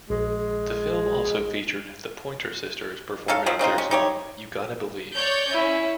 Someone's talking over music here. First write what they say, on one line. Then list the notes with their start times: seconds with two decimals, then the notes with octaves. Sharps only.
The film also featured The Pointer Sisters performing their song "You Gotta Believe".
0.10 A#1 G#3
3.28 C#4 D#4 A4 F5
3.46 D#3 F3 F#3 C4
3.59 C#3 C4 D#4 F4
3.78 C#4
3.91 D#4 G4 C#5
5.15 C#5 D5 G6
5.53 C#4 E4